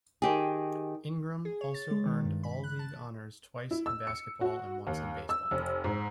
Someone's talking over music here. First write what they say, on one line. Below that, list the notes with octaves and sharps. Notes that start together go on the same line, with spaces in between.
Ingram also earned All-League honors twice in basketball and once in baseball.
D#3 G4 G#4
G#4
C#5
A6
G#3
D#3
G2
B5
F#6
A5
E4
E6
C#7
F#4
D#2
E6
F1
G#2